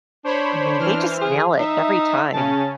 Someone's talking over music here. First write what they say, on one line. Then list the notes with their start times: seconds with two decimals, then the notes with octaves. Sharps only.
I mean, they just nail it every time.
0.24 D4 C5 C#5 B5
0.79 E3 C5 F6
1.21 G#4
1.58 D#4 E5
2.34 C#3 C#4 A5